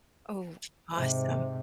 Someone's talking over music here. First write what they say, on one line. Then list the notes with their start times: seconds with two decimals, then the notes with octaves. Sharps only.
Oh, awesome.
0.93 G#2 C3